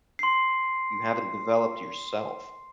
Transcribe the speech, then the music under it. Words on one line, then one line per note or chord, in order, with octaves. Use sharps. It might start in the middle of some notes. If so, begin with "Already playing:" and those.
you haven't developed yourself.
C6 C7